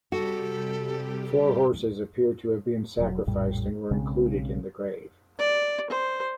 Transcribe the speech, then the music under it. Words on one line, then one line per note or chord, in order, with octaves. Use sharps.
Four horses appear to have been sacrificed and were included in the grave.
C3 G3 F#4 G4 A4
E1 F#3
A#1 F2 A2 G3
B1 C#3 G#3 C4
D5
C5